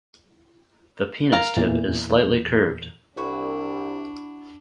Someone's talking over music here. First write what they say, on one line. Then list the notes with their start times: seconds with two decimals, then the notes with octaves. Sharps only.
The penis tip is slightly curved.
1.32 A#4 F5 A#5
1.57 E2 A#2 E3
3.17 C2 D4 E4 F#4 B4